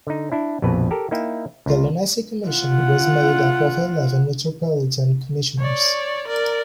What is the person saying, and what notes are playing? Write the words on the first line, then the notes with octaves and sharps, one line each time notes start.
The Lunacy Commission was made up of eleven Metropolitan Commissioners.
D3 D#4
D4 E4
A#1 F2 B2 B4
G4 A4 A#4
A#3 D#4 E4 E5 G5
C#2 F4
F4 F#5
C#5 D5
A#4 D5